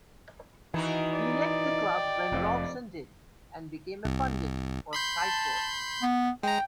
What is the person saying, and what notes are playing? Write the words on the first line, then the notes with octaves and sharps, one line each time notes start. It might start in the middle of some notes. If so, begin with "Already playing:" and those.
He left the club when Robson did, and became a pundit for Sky Sports.
D#3 E3 D#4 F#4 A#4
D5
G5
F1 F2 F3
C2
B5 C6 G6
A5
B3
G#3 G5 A#5